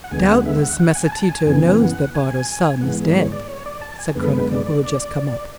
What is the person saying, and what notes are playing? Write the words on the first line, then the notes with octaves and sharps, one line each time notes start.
"Doubtless Messer Tito knows that Bardo's son is dead," said Cronaca, who had just come up.
F#5
D2 D3 G#3 B3 G#5
F#5
E5
F#5
F#5
F#5
G#5
A5
A5
G#5
F#2 C#3 E3 B3 G#5
F#5
G#5
G#2 E3 G#3 B3 F#5
D5
C#5
D5
C#5
D5
A5
G#5
F#2 D3 G#3 B3 B4
A4
B4
D5
D5
D5